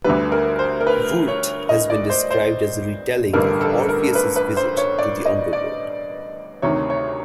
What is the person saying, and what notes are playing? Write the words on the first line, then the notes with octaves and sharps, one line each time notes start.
"Vurt" has been described as a retelling of Orpheus' visit to the Underworld.
D2 D3 G3 B4
A#4
C5
A#4
B4
C#5
D#5
D5
C5
C5
A1 G2 D3 A#4
A4
A#4
B4
B4
C5
C#5
D5
D#5
D5
D2 C3 D#3 C#5
C#5